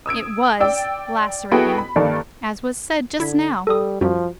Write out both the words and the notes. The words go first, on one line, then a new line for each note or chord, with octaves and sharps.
"It was lacerating," as was said just now.
D#6 E6 G#6 D7
D5 G5 E6
B3 E4 F#4 G#4 A4 G5
B5
G2 D#3 A#3 A4 D5
D3 E4 G#6 B6
G3 A4 D#6
F#2 F3 G3 F#4